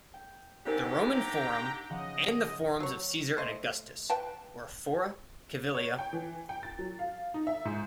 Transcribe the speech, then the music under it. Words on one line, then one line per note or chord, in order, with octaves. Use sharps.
The Roman Forum, and the Forums of Caesar and Augustus were Fora Civilia.
G5
D3 E3 D#4 G4 A#4 C5 D5 G#5
G5 A#5 A6
C#3 F3 D#5 F#5
F#3 C#5
A3 C5 D#5
B4 G5 A5
C#5
G5
E3
G5
A6
F#3
F5
D#4
E5
G#2